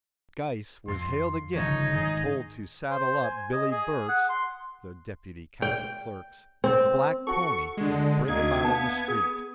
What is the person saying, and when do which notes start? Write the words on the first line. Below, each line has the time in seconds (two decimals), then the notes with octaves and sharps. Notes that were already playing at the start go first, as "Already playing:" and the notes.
Geiss was hailed again and told to saddle up Billy Burt's, the Deputy County Clerk's, black pony and bring him out on the street.
0.88 F2 C6
1.56 G1 C#3 F3 D#4 C#5
1.93 G#2 D#3 G#4
2.91 C5
3.23 G#5
3.53 D#5
3.72 G#4
4.09 F#5
4.29 C6
5.62 G5
6.64 C4
7.27 F#4 A4 C#6
7.77 D3 G#3
8.28 D2 D#4 D#5 F5 G#6
8.64 B3 E5 F5 A5
9.08 G#4